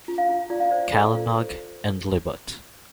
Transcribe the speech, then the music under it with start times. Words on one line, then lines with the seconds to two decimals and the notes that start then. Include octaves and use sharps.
Calinog, and Libot.
0.08 F4
0.18 F5
0.29 F4
0.50 F4 D5
0.60 F5
0.71 C5 D5
0.92 A4
1.14 F4
1.36 C5